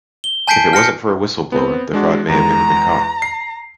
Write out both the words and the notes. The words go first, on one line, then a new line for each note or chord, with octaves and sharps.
If it wasn't for a whistle blower, the fraud may have never been caught.
G7
G#5 A5 G6 B6 C7 D7
F6 A#6 C#7
B3 C4
G#3 D4 F#4
E2 G#3 A#5
C7